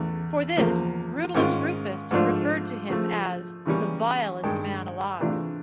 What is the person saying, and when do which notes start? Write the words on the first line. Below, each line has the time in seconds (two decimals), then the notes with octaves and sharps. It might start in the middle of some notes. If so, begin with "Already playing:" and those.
For this, Rutilius Rufus referred to him as "the vilest man alive".
Already playing: E2 C#3 E3 A3
0.56 E2 C#3 F3 A#3
1.34 G#2 D#3 G#3 C#4 F4
2.11 G#2 F3 A3 D4 F4
2.88 C#3 F3 A3
3.65 C#3 E3 G3 A#3 C#4
4.43 G2 D#3 G#3
5.20 C3 E3 A3 D4 F4